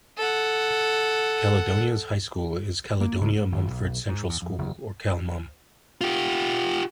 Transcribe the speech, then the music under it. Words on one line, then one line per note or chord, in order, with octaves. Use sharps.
Caledonia's high school is Caledonia-Mumford Central School, or Cal-Mum.
A4 F#5
A#3
C#2
G#2
G#1
B1
G#2
E2
F2
F#1
F4 G4